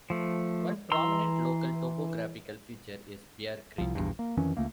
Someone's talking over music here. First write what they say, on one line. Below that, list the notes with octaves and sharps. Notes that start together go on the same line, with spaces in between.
One prominent local topographical feature is Bear Creek.
F3 A3
E3 A#5 C6 E6
C2 F3
A#1 E2 G2
A#3
F2 D#3 E3 C#4
C#2 A3 A#3